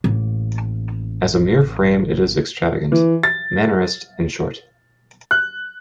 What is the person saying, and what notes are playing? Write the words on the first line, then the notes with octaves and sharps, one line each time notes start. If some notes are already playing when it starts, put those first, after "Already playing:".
As a mere frame it is extravagant: Mannerist, in short.
A1 A#3
E3
A6
F#6